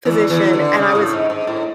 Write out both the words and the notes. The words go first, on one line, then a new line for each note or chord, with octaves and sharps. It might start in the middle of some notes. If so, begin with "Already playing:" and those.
position, and I was
E2 E3
E2 E3
D3
C#3
A2
G#2
G#2
A2